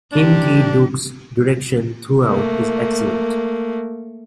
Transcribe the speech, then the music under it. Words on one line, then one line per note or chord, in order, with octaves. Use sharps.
Kim Ki-duk's direction throughout is excellent.
C3 D4 G4
A3 A#3